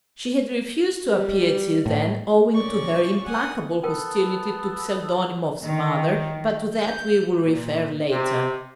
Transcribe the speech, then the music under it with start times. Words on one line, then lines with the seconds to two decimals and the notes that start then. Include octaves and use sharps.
She had refused to appear till then owing to her implacable hostility to Pseldonimov's mother, but to that we will refer later.
1.09 G3
1.86 A2
2.54 A#2 C#4 D5 C#6
3.24 F#5 G#5 D#6
3.83 B3 A4 A#4 G5
5.63 D#3
6.77 G6
7.46 A#2
8.11 C3